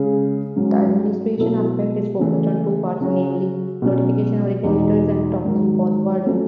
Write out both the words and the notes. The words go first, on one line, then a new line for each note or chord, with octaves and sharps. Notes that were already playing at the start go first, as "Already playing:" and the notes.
The administration aspect is focused on two parts, namely notification originators and proxy forwarders.
Already playing: C#3 G#3 C#4 G#4
G#2 F#3 C#4
B2 F#3 B3 E4 A4
C#3 E3 A3
C#3 F#3 C#4 F#4
B2 F#3 C#4
E2 B2 G#3 D#4 G#4
G#2 D#3 F#3
F#3 A3 C#4